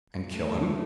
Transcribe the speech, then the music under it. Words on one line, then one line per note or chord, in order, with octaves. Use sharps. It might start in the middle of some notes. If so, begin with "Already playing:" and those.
"And kill him?"
A3